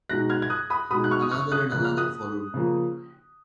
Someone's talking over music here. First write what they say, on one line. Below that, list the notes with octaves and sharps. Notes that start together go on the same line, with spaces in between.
Another and another followed.
B2 G#3 D#4 F#6 A#6
F6 G#6
G#6
D#6 F#6
B5 D#6
B2 G#3 D#4 B5 D#6
F#6
C#6 F6
D#6
C#6 F6
D#6 F#6
C#3 F3 A#3 F#6
F6
D#6 F#6
C#3 F3 A#3